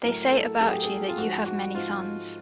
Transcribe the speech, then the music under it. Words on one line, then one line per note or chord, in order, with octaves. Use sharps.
They say about you that you have many sons.
A2 F#3 A3 A#4
A4
A2 F#3 A3 G#4
G4
G#4
F4
G#2 F3 G#3 F#4
F#4
G#2 F3 G#3 F4